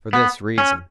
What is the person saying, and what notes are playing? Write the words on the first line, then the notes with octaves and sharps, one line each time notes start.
For this reason.
B3
C#4